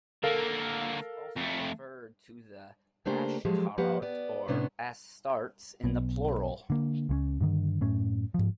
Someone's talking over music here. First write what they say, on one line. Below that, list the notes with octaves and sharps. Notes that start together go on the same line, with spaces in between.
The Hebrews also referred to the "Ashtarot" or "Astartes" in the plural.
D3 A#3 A4 A#4 F5
F2 A3
C#3 A3 A#3 D4 G4 C5
F3 F#3 G#3 G4 A4
F3 A#3 G4 B4 F#5
B3 D5
A2 C3 B3 C#4 D4
B1 B3
D3 A#3
C#2 G#3 C#4
G2 D3 D#3
F#2 A2 C#4
G#2 F3